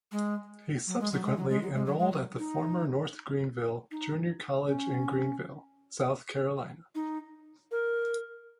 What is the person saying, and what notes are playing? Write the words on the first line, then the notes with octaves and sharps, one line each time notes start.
He subsequently enrolled at the former North Greenville Junior College in Greenville, South Carolina.
G#3
F#3
G#3
F#3
G#3
F#3
G#3
F#3
G#3
F#3
G#3
F#3
D#4
D#4
C#4
D#4
A#4